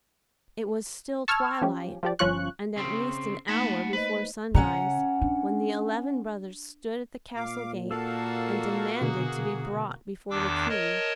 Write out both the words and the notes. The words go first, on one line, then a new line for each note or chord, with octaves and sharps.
It was still twilight and at least an hour before sunrise when the eleven brothers stood at the castle gate and demanded to be brought before the King.
A5 C#6 E6 F6 G#6
F3 C#4 G4
F3 G4 D5
G1 F3 C#4 F4 C#6 F#6
C#3 C4
A3 A#3 D#4 F#5 A5 B5
B4 C5 D#5
C#3 C#4 F#5 A#5
D4
A#2 F5 D6
A#3 F#4 A4 F5 A5 E6
B2 D3 G#4
E2 D#3 D4 D6 E6
A#4 C#5 D#5 A5